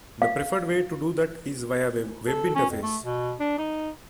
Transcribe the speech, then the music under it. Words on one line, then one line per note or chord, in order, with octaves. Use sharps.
The preferred way to do that is via a Web interface.
F5
A4
C#4
F2
A3
B2
D4
D#4